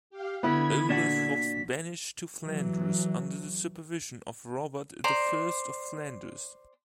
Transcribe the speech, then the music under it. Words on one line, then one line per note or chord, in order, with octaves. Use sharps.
Olaf was banished to Flanders, under the supervision of Robert the First of Flanders.
G4 F5
D3 B3 E4 B5 G#6
A#2 D4 F#4 B6
E3 F#3
C5 D5 A#5